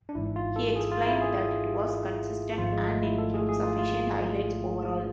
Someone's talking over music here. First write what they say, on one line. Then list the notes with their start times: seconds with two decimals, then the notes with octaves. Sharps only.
He explained that it was "consistent and includes sufficient highlights" overall.
0.09 D4
0.15 G#1 G#2 E3 G#3 E4
0.36 F4
0.56 A4
0.76 G#4
0.92 F4
1.06 E4
1.22 G#4
2.57 G#1 G#2 F3 F4
2.72 G#3
2.88 A3
3.03 E4
3.18 A4
3.34 G#4
3.49 G#4
3.63 F4
3.79 F4